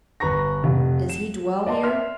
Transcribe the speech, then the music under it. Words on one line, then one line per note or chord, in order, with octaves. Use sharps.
Does he dwell here?
G1 B4 A#5 C#6 A#6
F1
E7
D5 D#5 A5 C6
E5 C6 F6